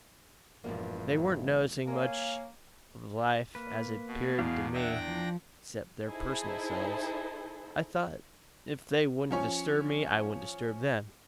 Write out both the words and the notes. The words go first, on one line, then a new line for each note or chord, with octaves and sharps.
They weren't noticing much of life as it appeared to me except their personal selves. I thought if they wouldn't disturb me I wouldn't disturb them.
E1 G2 A#2 F3 A#3
A#3 A#4 C#5 F5 G#5
A#3 B4
B2
E2 G#4 F5
D4 G#4 E5 F#5 G5 A#6
F3
D#4 E4 G#4 A4 C5
F3 C#4 C#5